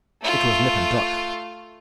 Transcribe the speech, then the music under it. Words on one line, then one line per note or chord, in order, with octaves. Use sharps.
It was nip and tuck.
A3 F4